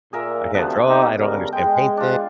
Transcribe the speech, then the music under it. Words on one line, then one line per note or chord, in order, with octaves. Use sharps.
I can't draw, I don't understand painting,
A#2 G#4 A#4 E5
D2 C3 F3 B3 A4 B4
C4 D#4 G4
C#3 G3 A#4
G#3 G5
D4 F4